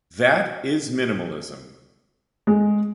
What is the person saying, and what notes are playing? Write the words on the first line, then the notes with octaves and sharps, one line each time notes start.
That is minimalism.
G#3